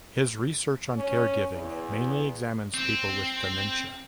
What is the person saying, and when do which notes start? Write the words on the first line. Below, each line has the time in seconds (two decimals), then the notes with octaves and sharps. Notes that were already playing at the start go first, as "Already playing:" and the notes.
His research on caregiving mainly examines people with dementia.
0.97 C#4
1.53 E2
2.74 C4